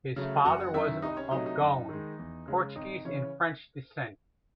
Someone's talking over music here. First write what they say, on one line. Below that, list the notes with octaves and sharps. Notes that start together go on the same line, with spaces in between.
His father was of Goan, Portuguese and French descent.
C#3 F#3 A3
F#1 F#4 F#5
F#2 D#3 E4 E5
C2 D#4 D#5
C#4 C#5
C3 F#3 A3 D#4 D#5
D#4 D#5
F#2
D#3 G#3
E2
C#3 G#3
G#1 D#4 D#5
C#3 E3 C#4 C#5